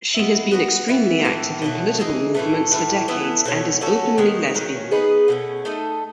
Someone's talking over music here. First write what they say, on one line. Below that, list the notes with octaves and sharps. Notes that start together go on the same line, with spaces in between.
She has been extremely active in political movements for decades and is openly lesbian.
G#3 B3 E4
B3 F#4 B4
E3 B3 E4
A2 E3 B3
B2 F#3 A3
E3 A3 D#4 G#4
A2 E3 A3
A2 E3 A3 E4
E3 B3 E4 A4
B2 A3 C#4
A3 C#4 F#4 A4
D#3 G#3 B3
D#3 F#3 C#4
B3 D#4 G#4 B4
B2 A3 C#4
A3 D#4 A4 D#5